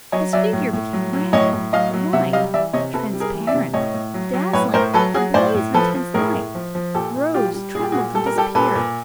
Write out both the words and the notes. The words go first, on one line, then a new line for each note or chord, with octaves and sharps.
His figure became red, white, transparent, dazzling--a blaze of intense light--rose, trembled, and disappeared.
F#3 C#5 D#5
F#3 D5 E5
A2
A2
F#3
F#3
A2 C#5 D#5
A2
F#3 D#5 F5
F#3
C3 E5 F#5
G3 D#5 F5
E3 D5 E5
C3 C#5 D#5
C3 A4 B4
G3
G#4 A#4
E3
D5 E5
C3
A2 C#5 D#5
A2
F#3
F#3
A2 B4 C#5
A2 A#4 C5
F#3 A4 B4
F#3 F#4 G#4
A2 C5 D5
A2
F3 A4 B4
F3
A2 G#4 A#4
A2
F3
F3
A#2 G4 A4
A#2
G3 F4 G4
G3
A#2 G#4
G4
F#4 G#4
A#2
G3 A4
A#4
G3 G4 A4
A#2 A4 B4
A#2